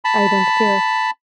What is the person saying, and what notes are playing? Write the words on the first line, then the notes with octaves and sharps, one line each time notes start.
I don't care.
A5 B5